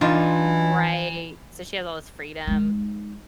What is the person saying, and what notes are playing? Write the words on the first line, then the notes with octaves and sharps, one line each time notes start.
Right. So, she has all this freedom,
E3 D4 D#4 F4
G#3 D#4